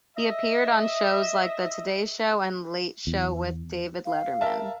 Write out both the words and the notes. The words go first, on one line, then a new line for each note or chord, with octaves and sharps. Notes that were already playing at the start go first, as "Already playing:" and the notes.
He appeared on shows like "The Today Show" and "Late Show with David Letterman".
D#5 E5
E2
F5
A#4 E5 A5